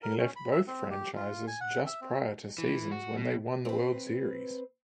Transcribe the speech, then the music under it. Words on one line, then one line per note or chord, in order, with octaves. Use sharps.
He left both franchises just prior to seasons when they won the World Series.
A#4
C#4
B5
E5
C4
G4
F4
G#5
F#5
E5
C4
E3
F#4
B2
C4 B4